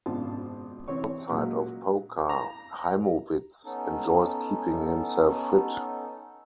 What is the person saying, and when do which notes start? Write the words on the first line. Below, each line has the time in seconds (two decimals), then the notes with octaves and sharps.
Outside of poker, Heimowitz enjoys keeping himself fit.
0.06 G#1 F#2 B2 D4 F4 A5
0.88 C3 E3 C4 C#5 C#6
1.30 A#2 F#3 G#3
2.29 A#5
3.64 B3 C#4 D#4 A4